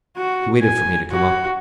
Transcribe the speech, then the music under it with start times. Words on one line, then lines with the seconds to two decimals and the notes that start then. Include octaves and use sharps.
He waited for me to come up.
0.17 F#4
0.61 G#5
1.12 F#4